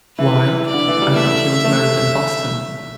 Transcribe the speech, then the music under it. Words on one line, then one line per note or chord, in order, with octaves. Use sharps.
Why — I thought he was married in Boston.
E3 B4
D5
D3
E3
G3
A3 E5
A3